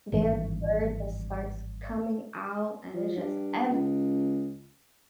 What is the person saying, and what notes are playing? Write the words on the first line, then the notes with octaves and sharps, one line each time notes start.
their fur just starts coming out and it's just everywhere
G#1 G2 E3
F3
G2
C#2